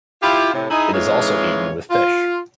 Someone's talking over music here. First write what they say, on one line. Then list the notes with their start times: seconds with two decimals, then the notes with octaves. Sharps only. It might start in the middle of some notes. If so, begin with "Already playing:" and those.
It is also eaten with fish.
0.23 E4 F4 G4
0.53 A2 C3
0.70 D#4 E4 G#4
0.93 F2 G#2 E3 G#3 F4 C#5
1.90 F4